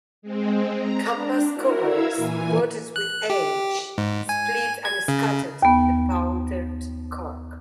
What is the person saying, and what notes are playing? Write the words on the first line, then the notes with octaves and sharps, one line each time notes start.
Canvas covers, rotted with age, split and scattered the powdered cork.
G#3 C4
A#5
D4
E4 F#4 A#4
E4 F5 A#5 E6 G#6
A#2 E3 G#5
F#6
G4
G#2
G#5
G#6
C#3
D#2 B3